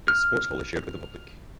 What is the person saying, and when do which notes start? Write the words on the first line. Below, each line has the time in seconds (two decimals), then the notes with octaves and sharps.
Its sports hall is shared with the public.
0.08 F6